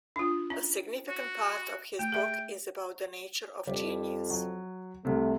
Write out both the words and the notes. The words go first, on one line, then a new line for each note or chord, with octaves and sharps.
A significant part of his book is about the nature of genius.
D4 F4
C#4
F#4
A3 G5
G#4 E5
F2 G3
F#3
C2 C3 A3